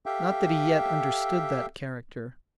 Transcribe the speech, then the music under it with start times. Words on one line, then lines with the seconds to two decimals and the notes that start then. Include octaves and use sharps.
Not that he yet understood that character.
0.06 G4 A4 E5 F5 G5